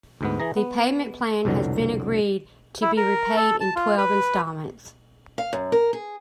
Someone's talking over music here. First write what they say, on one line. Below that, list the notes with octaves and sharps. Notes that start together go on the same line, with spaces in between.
The payment plan has been agreed to be repaid in twelve instalments.
D2 G#2 B3
E3 G#4 A#5
B3
C2 F2 B2 D3 F#3
E4
A#4
A4
A5
F4
B4
F5
F#2
A#4
G#4